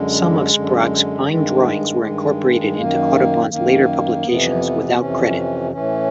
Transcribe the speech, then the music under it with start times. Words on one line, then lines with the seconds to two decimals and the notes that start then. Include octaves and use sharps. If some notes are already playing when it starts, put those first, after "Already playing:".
Some of Sprague's fine drawings were incorporated into Audubon's later publications, without credit.
Already playing: F#2 D3 G#3
0.53 F#2 D3
1.27 G2 D#3 G#3
2.01 G2 D#3
2.75 F#2 D#3 A#3
3.49 F#2 D#3 A#3
4.23 F2 C3 E3 B3
4.97 F2 C3 E3 C#4
5.71 A2 E3 C#4